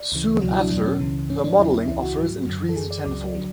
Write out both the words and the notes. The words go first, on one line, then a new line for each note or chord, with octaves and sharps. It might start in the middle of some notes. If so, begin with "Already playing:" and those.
Soon after, her modelling offers increased tenfold.
Already playing: D5
D2 C#3 E3
C#2 B2 F#3 F#4
E4
D4
E2 B2 F#3
C#4
C#2 C#3 E3
G#2 E3 C#4
D4
E2 C#3 F#3 E4
E4
C#2 C#3 E3 E4
F#4
G#2 F#3
F#2 D3 F#3
A4
F#2 E3 G#4
D5
C#2 C#3 F#3 D5
D3 F#3